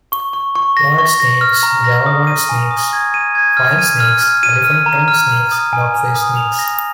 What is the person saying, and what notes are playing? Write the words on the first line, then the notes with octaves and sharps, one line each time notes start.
Wart snakes, Java wart snakes, file snakes, elephant trunk snakes, dogface snakes.
C#6
C#6
C#6
A#6
C#6
A#6
F6
A#5
A#6
D#6
D#7
G#5
D#6
G#6
D#7
G#6
F6
D#7
F6
F6
D#7
F6
A#5
F6
F6
D#6
G#5
G#5
D#6
F7
A#6